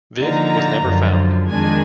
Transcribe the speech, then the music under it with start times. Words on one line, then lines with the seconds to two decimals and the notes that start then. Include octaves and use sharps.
Viv was never found.
0.20 D3 F3 A#3 D#4 A#5
0.85 F#2 D3 F3
1.49 F2 D#3 G#3 D4 G#5